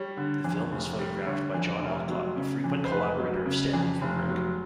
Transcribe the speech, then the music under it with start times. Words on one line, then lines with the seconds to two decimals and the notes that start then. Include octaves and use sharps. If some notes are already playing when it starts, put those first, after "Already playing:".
The film was photographed by John Alcott, a frequent collaborator of Stanley Kubrick.
Already playing: G3 C#5
0.17 D3
0.44 F2
0.72 F1
0.99 G3
1.26 D3 C#5
1.54 F2
1.82 F1
2.09 F#3
2.36 C#3
2.64 F2
2.85 C5
2.91 F1 B4
3.19 F#3
3.46 C#3
3.74 F2
4.01 F1
4.28 F#3